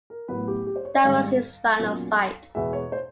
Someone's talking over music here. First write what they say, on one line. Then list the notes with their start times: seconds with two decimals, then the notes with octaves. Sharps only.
That was his final fight.
0.10 A#4
0.28 A1 A2 F#3 B3 B4
0.48 G4
0.66 G4
0.76 C5
0.85 C#5
0.94 D5
1.04 G#2 D#3 G3 F5
1.79 B1 A#2 F#3 A#3 C#4
2.55 E2 B2 G#3 E5
2.73 C#5
2.92 C5